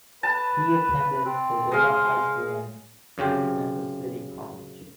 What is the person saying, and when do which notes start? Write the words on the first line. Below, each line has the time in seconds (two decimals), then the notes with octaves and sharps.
He attended Cordova High School and Sacramento City College.
0.23 B4 A5
1.25 C4
1.72 G#3 C5 F5
3.18 F#2 C#3 C4 G4